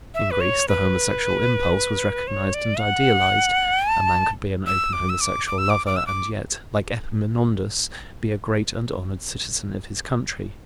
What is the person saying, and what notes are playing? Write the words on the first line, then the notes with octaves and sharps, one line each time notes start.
In Greece the homosexual impulse was recognized and idealized; a man could be an open homosexual lover, and yet, like Epaminondas, be a great and honored citizen of his country.
E5
B4
C#5
B4
C#5
D5
F#5
A5
E6
D6
E6
D6
D6
E6
D6
D6
E6
D6